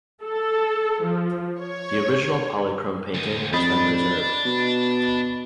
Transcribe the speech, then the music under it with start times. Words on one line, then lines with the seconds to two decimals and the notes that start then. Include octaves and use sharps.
The original polychrome painting has been preserved.
0.23 A4
1.02 F3
1.61 C#5
3.14 D2 G#3
3.53 F2 D4 D#5 B5 A6
4.46 B2